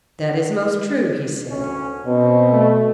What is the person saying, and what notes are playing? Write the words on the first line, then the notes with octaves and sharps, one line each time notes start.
That is most true, he said.
D2 C#4
B2 C4
A3